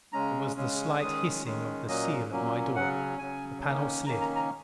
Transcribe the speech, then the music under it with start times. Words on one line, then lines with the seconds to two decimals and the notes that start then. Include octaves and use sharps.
There was the slight hissing of the seal of my door. The panel slid.
0.13 C#3 G#3 C#4 A#5
0.56 C#3 G#3 C#4
1.00 D#3 G#3 C#4 D#6
1.44 D#3 G#3 C#4
1.88 A#2 F#3 A#3 C#4 D#5
2.31 A#2 F#3 A#3 C#4
2.75 C#3 F#3 C#4 F#5
3.19 C#3 F#3 C#4 G#5
3.62 D#3 A#3 C#4
4.06 D#3 A#3 C#4 A#5
4.21 A#5
4.36 A#5